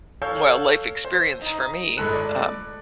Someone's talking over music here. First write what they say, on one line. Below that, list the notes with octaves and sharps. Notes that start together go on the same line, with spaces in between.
well, life experience for me. Um
A4 C#5 F5 E6 G6
C5
D#4 A#5
G1 G#3 A3 A4 B5 F#6
D5